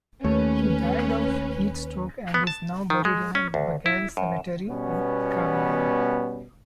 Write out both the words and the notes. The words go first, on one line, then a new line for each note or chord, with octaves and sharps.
He died of heat-stroke and is now buried in Bagail Cemetery in Kavieng.
D#2 A3 C#4 B4 C#5
B3
A5
D#3
G#3
C#4
D2
E4
F#2
B2 G3 B3 C#4